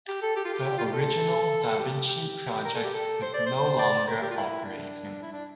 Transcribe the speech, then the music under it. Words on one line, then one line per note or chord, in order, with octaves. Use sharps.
The original da Vinci Project is no longer operating.
G4
A4
G4
F4
G4
F4
G4
A4
G4
G4
A#4
A4
G4
A4
C5
D5
C5
D5
A#4
G4
F4
E4
D4
E4
D4